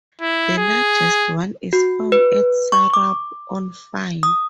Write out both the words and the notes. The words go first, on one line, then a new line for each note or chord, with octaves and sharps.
The largest one is found at Sarup on Fyn.
E4
G#4
F#4
B4
C#6
D6
D#6